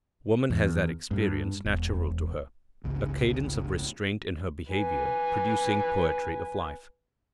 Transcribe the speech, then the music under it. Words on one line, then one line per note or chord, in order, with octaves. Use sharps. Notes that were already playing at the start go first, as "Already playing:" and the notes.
Woman has that expression natural to her--a cadence of restraint in her behaviour, producing poetry of life.
E2
G2
E1
G1 C#2
B4 G#5